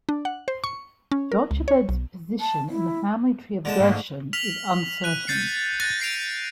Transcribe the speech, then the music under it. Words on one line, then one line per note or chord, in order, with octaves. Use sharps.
Jochebed's position in the family tree of Gershon is uncertain.
D4
F#5
C5
C#6
C#4
A#4
C#2
C#5
B1
A5
E4
D3 G#3 A5
G#2 A3 A#3
F6 B6 F7 F#7
F#6 D#7
G6 A6 C7 C#7
F#6 G6 A6 A#6 D#7
A6 C7 D7 F7